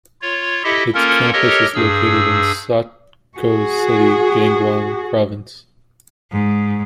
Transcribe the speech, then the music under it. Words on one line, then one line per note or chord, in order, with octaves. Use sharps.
Its campus is located in Sokcho City, Gangwon province.
F4 C#5
E4 G4 A4 D#5 E5
A#3 C#4 F4 A4 A#4
G4 A4 A#4 C#5 D#5
G2 G#4 E6
F#4 G#4
G#2